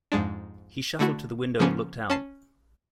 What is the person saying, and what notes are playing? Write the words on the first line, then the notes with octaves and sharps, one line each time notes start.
He shuffled to the window and looked out.
F2 G#2 G#3 D4
D3 A3 E4 F#4
C#3 F3 A#3 B3 C#4
C#4 A5 C7